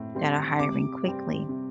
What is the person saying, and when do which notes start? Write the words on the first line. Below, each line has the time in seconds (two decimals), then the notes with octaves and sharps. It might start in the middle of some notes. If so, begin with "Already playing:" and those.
that are hiring quickly.
Already playing: A2 C4
0.15 G3 C4
0.59 C3 D6
1.04 G3 C4
1.49 C3